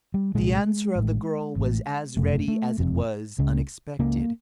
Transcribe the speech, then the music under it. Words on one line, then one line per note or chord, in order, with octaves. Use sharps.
The answer of the girl was as ready as it was unexpected.
G3
C2 A#2 G#3
A1 A2
A1 A2
F#1 F2 C3 A3
A3
F#1 F2 C3
C#2 C#3
C#2 C#3 A#3